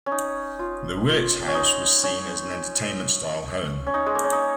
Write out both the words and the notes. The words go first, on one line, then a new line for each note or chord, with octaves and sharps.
The Willits House was seen as an entertainment-style home.
C#4
D#4
F4
F4
C#4
D#4
C#4
C#4
D#4
G#3
A#3
C#4
D#4